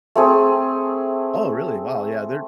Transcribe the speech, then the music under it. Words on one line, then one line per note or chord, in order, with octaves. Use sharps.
Oh really? Wow, yeah, they're
A3 C4 G#4